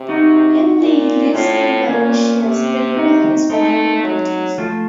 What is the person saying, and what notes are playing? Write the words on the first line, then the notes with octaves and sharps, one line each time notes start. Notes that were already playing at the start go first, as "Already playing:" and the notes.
Hingley lives in Valencia, Spain with his wife and daughters.
Already playing: C3
D#4 F#4
A#2
A2 C#4 F4
A#2 A#3 C#4
C3
D#4 F#4
A3 C4 D#4
F#3
F3 A3